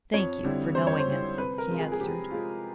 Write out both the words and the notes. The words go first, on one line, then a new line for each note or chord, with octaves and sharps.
"Thank you for knowing it," he answered.
F2 C#5
D3 G3 C4 E4
F2 C5
C#5
C5
D3 G3 C4 E4
C3 B4
A#4
F3 G#3 C4 F4
G#4
G#4
C3 G4
F3 G#3 C4 F4